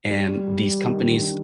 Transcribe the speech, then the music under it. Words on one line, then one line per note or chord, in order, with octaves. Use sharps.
em, these companies
G3
G3
D#3
D4